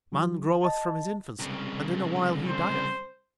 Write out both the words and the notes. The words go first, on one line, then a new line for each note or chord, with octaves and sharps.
Man groweth from his infancy, and in a while he dieth.
D#3 F#3
D#5 A5
C2 C#3
C5